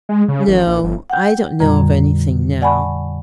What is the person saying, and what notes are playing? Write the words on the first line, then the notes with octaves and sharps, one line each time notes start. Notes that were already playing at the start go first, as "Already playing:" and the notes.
"No, I don't know of anything now."
G#3
C#3
A1
A#1
G1
F#5 G5 G6
F2 A#2 D3 G3 A#5
D5 F#5 G#5 A5 B5 C#6